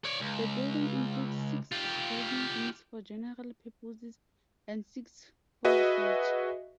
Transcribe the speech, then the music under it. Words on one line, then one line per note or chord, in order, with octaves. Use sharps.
The building includes six reading rooms for general purposes and six for research.
C#5 D5
C#2
F4 G4
F#4 G#4 B4 D#5 E5